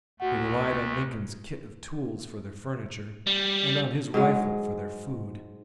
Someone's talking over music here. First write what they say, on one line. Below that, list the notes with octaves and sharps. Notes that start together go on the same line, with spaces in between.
They relied on Lincoln's kit of tools for their furniture, and on his rifle for their food.
D2 A3 F#4 F#5
G3
G#2 F#3 G#3